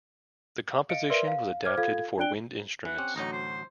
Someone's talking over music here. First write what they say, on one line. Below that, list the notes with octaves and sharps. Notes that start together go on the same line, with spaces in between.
The composition was adapted for wind instruments.
D#5 F5 C#7 D7
A#4 B4 D5 E5 C6
F5
C5 D6 F6 G#6
F4 A4 F5 G#6
D4 D5 G5 F#6 D7 G7
E3 F#5
C4 C#4 G4
A1 D2 F#3 D#4
C5